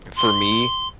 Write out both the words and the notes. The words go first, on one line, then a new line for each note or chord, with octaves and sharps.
For me
C6